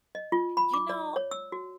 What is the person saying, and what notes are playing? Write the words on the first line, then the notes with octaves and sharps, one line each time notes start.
you know,
D#5
F4
B5
D6
D5
C#5
E6
F#4